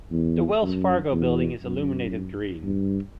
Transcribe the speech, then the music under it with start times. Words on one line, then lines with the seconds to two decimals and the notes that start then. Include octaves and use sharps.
The Wells Fargo Building is illuminated green.
0.11 E2
0.62 F#2
1.12 E2
1.63 F#2
2.63 G2